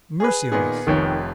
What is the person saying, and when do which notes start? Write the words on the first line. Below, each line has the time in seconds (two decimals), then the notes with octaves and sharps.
Mercy on us!
0.20 G#4 B4
0.52 A#2 D#3 B3 G#4
0.87 F1 F2 D#3 C#5